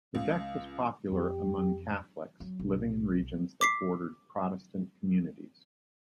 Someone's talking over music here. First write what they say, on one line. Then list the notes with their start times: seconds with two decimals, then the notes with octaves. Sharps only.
This deck was popular among Catholics living in regions that bordered Protestant communities.
0.15 C#2
1.12 F2 G4
2.40 F#3
2.60 B1
3.61 D6 B6 C7